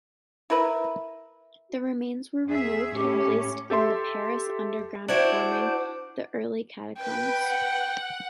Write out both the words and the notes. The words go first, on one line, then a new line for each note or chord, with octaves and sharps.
The remains were removed and placed in the Paris underground forming the early Catacombs.
E4 A#4 B4 E5
E2 G#4 E5
A2 C#4 G4
G4 A4 E5 C6
D4 E4 F#4 C5
B4 G5
F#5